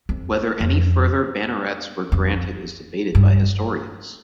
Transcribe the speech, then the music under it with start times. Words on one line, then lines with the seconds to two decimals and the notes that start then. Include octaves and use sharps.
Whether any further bannerets were granted is debated by historians.
0.09 F2
0.60 F2
2.12 F2
3.15 G2